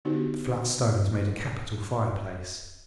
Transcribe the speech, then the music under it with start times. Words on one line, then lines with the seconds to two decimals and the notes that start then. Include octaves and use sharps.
The flat stones made a capital fireplace.
0.05 D3 B3 D4 D#4 F#4 G4